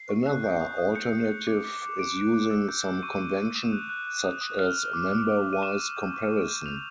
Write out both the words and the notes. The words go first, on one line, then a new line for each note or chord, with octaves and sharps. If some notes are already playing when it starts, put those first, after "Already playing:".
Another alternative is using some convention such as memberwise comparison.
Already playing: C7
C#6
F#6
G6
D#6
D#6
G6 C#7
D#6
G6
D6
D6
D6
D6 D7
F#6
D6
E6
G6
E6
C#6 D#7
C#6
C#6
D#6 E7
F#6
F#6
F#6
D#6
D#6
F6
F6
D6
D6
D6
D6
D#7
C#6 E7
E6
G6
C#6
C#6
G6
G6 F7